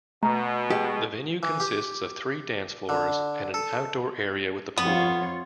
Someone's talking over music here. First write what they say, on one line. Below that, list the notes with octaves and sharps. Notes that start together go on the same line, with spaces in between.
The venue consists of three dance floors and an outdoor area with a pool.
B2 A3 A#5
G#3 G4
E3
G4
D3
A4
F2 B3 F4 C#5